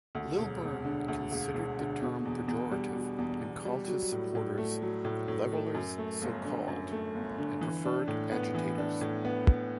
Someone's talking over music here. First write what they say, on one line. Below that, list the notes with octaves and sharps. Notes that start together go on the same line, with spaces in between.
Lilburne considered the term pejorative and called his supporters "Levellers so-called" and preferred "Agitators".
D2
E1
E1
D3
D2
E1
E1
D3
B2
E2
E2
G3
B2
E2
E2
G3
F#3
A2
A2
A3
F#3
A2
A2
A3
F#2
A3
G1
D3
F#2
A3
G1
D3
E3
D4
A2
B3
E3
D4
A2
B3